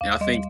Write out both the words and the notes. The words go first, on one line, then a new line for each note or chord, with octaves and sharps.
and I think,
D#2 F5
G3 D#5